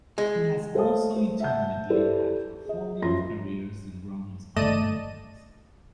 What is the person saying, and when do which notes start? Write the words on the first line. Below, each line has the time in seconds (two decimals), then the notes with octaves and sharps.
He has also intermittently had portfolio careers and run his own companies.
0.18 G#3
0.75 A4 C5 C#5 F5 A5 D#6
1.16 C5
1.40 E5 F#5 A5 G6
1.90 E4 G4 A4 B4 C5 D5
2.65 G#4 D#5
3.02 F#2 F3 E5 C6 A#6
4.56 G1 A3 D5 D#5 A5 D#7